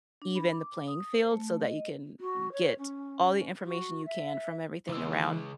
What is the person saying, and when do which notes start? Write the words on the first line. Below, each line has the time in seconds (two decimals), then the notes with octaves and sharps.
even the playing field so that you can get all the information you can from everything around
0.22 D4
0.35 B5
0.52 D6
0.87 D#6
1.13 C5
1.32 A3
1.64 D#5
2.20 F#4
2.52 C#5
2.79 C#4
3.64 F#4
4.06 E5
4.89 C#2 E3 G#3 E6